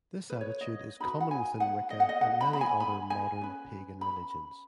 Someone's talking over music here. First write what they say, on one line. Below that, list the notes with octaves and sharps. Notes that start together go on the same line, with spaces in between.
This attitude is common within Wicca and many other modern pagan religions.
B4
C#5
D#5
D#4 F#4 B4 B5
F#5
G#5
F#5
D#5
F#5
D#5
F#5
B5
B5
G#5
B5
G#5
C#4 B4
B5